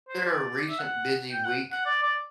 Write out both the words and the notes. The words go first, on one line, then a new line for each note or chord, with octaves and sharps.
There a recent busy week
C5
D5
E5
F#5
G5
F#5
F#5
D5
D5